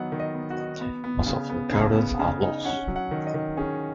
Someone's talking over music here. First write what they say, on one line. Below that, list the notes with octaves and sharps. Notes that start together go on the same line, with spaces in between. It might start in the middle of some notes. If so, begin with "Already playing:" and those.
Most of her gardens are lost.
Already playing: D#3 F#3 B3 D#5 F#5
D#3
D#5
B3
F#4
D#4
B3
B3
C#3
B3
C#3
B3
C#3
D#4
C#4 F#5
F#3
F#5
D#3
D#5
D#3
C#4 G#4